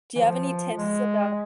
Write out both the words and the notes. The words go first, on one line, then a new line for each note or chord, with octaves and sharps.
do you have any tips about
E3
F3
F3
G#3